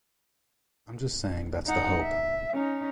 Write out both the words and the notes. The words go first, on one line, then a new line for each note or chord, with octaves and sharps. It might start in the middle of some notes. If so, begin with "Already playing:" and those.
I'm just saying that's the hope.
D#4 F#5
E5
C#4 D#4